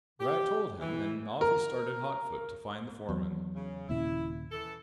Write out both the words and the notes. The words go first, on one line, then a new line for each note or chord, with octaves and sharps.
But I told him, and off he started hot-foot to find the foreman.
G4
E3
A#4
E2 F#3
C#3
D#1 A#2 C#3 E4
E3 A4